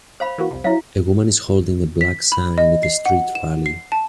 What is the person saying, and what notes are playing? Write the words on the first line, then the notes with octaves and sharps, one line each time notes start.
A woman is holding a black sign at a street rally.
C5 F5 B5
E3 A#3 F#4
C2 F2 C3
F#3 E4 E5 F5
B6
B5
D#5
C7
F#5
E7
C7
A5